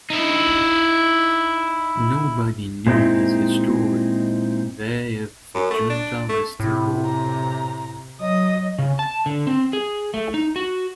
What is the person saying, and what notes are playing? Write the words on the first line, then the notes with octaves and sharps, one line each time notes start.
Nobody knew his history, they of the Junta least of all.
D#4 E4
A#2 G#3 C4 D#4 E4
F#2
A3
D4
A3
A2 C3
A#5
F#3 D#5 D#6
C#3
A5
D3
C4
G#4
A3
D#4
F#4